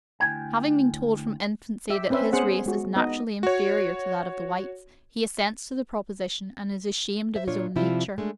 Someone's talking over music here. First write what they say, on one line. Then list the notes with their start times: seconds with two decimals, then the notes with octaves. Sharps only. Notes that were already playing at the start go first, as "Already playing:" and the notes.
Having been told from infancy that his race is naturally inferior to that of the whites, he assents to the proposition and is ashamed of his own nature.
0.20 D2 F#3 E4 G5 G#5
1.90 G4 E5
2.10 C4 C#4 B4 C5 E5
2.33 B3 C#4 G#4 C5 F#5
2.66 G#3 F#4
2.96 B3 D#4 D#5
3.43 F#4 C#5
7.35 C5 E5
7.48 A#2 D4 F4 C#5
7.76 C3 F3 G3 E4 F4
8.18 G#3 A3 D4